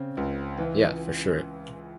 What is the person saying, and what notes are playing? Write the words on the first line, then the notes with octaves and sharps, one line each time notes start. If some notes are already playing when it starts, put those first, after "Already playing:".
Yeah, for sure.
Already playing: C#3 C4
C#2
E3